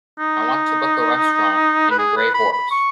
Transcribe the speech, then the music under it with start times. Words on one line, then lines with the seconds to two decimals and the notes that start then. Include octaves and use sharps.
I want to book a restaurant in Gray Horse.
0.19 D#4
1.91 B4
1.99 G#4
2.17 B4
2.34 B5
2.53 B5
2.71 C#6